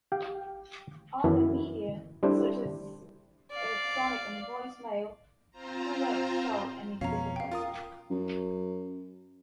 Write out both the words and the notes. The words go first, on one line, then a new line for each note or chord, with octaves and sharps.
Other media, such as electronic and voice mail, do not show any difficulty.
G4 F5 G5
F#2 E3 B3 E4
G3 C4 D4 E4 A4 C5
D5 F5
C4 F4 C5 A#5
F2 B2 C#4 F5 A#5
F5 G5
F4 A#4 D#6
F#2